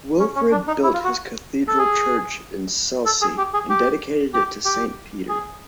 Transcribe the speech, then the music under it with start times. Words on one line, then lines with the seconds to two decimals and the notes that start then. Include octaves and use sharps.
Wilfrid built his cathedral church in Selsey and dedicated it to Saint Peter.
0.19 C#4
0.36 C#4
0.51 D4
0.67 D#4
0.83 E4
0.93 F4
1.04 F#4
1.68 A4
1.78 G#4
3.06 A4
3.22 G#4
3.38 G4
3.54 G#4
3.69 G4
4.34 G4
4.65 G4
5.29 G#4